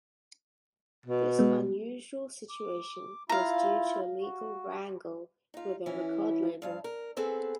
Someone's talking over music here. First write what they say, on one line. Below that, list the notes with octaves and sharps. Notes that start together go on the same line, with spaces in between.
This unusual situation was due to a legal wrangle with their record label.
B2
G#3 B3
D6
E4 F4 F5 A#5
F#4
D#4 F4
E3 C#4 E4
G2 F3 F5
A#4
B3 C4 G#4 A4 B4